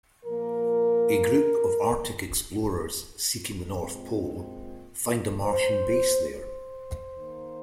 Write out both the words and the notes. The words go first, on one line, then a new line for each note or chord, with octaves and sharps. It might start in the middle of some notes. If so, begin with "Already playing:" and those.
A group of Arctic explorers seeking the North Pole find a Martian base there.
A#2 F3 A#3 A#4
A#2 G#3 C4
C5
C5
D#3 A#3